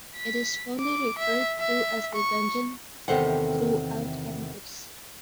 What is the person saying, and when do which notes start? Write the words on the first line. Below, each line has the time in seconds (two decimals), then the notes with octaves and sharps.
It is fondly referred to as "The Dungeon" throughout campus.
0.16 B6
0.80 D6
1.19 E5
1.59 E5
2.15 C#6
3.08 E2 C3 D#3 A4 C5 F#5